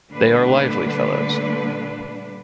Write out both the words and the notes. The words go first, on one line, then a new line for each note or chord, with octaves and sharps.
They are lively fellows.
A#2 D3 G3 A3 D4 B4